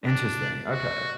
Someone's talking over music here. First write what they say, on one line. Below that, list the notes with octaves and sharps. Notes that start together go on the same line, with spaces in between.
Interesting, okay.
D4
F#4